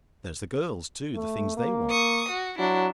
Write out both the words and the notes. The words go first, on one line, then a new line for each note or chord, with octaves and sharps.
There's the girls, too--the things they want!
A3
A#3
C#6 D#6
F#4
F#3 D4 E4